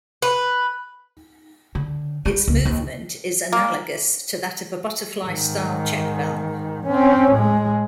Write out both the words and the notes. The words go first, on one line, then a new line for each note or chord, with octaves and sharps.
Its movement is analogous to that of a butterfly-style check valve.
B4
D3
G3
C#2
D#2
A#3
G#2 D#3
C4 C#4
A2 G#3